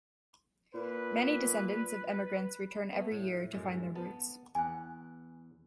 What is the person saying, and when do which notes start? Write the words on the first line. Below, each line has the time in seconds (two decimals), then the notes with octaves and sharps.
Many descendants of emigrants return every year to find their roots.
0.74 A#2 B4
2.93 A3 B3
3.12 A2
3.53 F#2 A2 G#3
3.95 B3 A5
4.55 E2 F#5 G#5